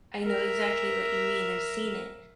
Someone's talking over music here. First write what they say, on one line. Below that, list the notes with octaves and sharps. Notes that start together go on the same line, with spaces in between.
I know exactly what you mean, I've seen it,
A#4 E5